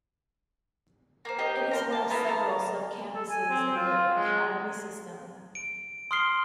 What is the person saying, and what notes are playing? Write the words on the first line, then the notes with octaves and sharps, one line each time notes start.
It is one of several sub-campuses in the Academy system.
A#3 C5
A#3 G4 D#5 G5
A#4 A#5 C6
A5
A#3 B3 E4 A#4
A4 F5 A#5
A4
G#5
C4
F4
G#3
D7
C6 D#6 F6 C7 G7